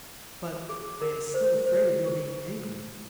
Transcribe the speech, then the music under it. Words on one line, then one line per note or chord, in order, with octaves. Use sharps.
"But I am still afraid of your being angry."
G#4
A#4
C5
C5